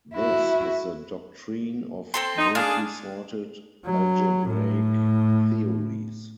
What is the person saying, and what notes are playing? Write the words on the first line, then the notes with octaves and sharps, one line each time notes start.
This is the doctrine of multi-sorted algebraic theories.
E4 F#4
C4 A4 C6
D#4
D4 G#4 F5
F#3
A2